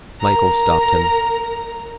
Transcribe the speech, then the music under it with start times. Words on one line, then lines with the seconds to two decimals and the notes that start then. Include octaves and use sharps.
Michael stopped him.
0.20 A#4 A#5